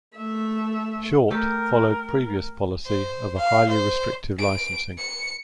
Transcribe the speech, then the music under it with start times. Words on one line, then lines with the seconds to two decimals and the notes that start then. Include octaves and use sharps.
Shortt followed previous policy of a highly restrictive licensing.
0.17 A3 E5
1.31 A3 G4 A4 A#4
2.86 C5
3.38 F5
3.69 C5
4.39 D7
4.98 C#7